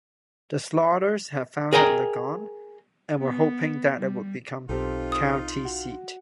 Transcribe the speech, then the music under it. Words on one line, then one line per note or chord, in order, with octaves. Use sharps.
The Slaughters had founded Ligon and were hoping that it would become county seat.
G#4 A#4 D#5 G5 A#5
B3
G3
B1 C4 D#4 F4 G4 A4
D#6
F#4